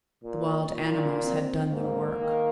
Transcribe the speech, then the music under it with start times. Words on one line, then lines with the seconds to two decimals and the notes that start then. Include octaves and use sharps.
The wild animals had done their work.
0.24 A#2
0.73 A#2
1.23 C4
1.72 G#2 A#3
2.21 D#3